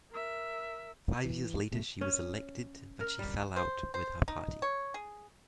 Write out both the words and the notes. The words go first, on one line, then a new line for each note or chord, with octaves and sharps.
Five years later she was elected but she fell out with her party.
A#4 E5
E3
D1 B2 G#3 A3
C#4
A#4
G3
C5
C5
D#4
C#5
G#4